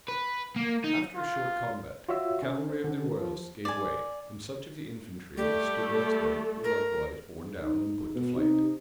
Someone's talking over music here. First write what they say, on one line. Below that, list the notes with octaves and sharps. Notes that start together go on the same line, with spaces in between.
After a short combat, the cavalry of the royalists gave way; and such of the infantry as stood next them were likewise borne down and put to flight.
B4
A#3
D#4
F4
F4 F#4 C#5 E5 E6
C#4
C5
D3 C#4
F3
D5 G#5
G3 A3 G4
A#4
D#4
B2
C3 D#4